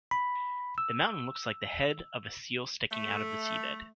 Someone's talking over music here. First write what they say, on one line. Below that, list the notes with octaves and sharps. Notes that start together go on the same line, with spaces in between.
The mountain looks like the head of a seal sticking out of the seabed.
B5
E6
A3